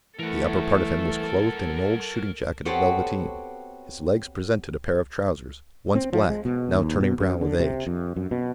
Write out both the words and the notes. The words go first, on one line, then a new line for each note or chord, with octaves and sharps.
The upper part of him was clothed in an old shooting jacket of velveteen; his legs presented a pair of trousers, once black, now turning brown with age.
E3 A3 A4 A#4 F#5
B3 C4 F#4 G4 A4 C#5
C4
F3
G#3
B2
D#2
B2
F#2
D3
C3
F2
F#2
B2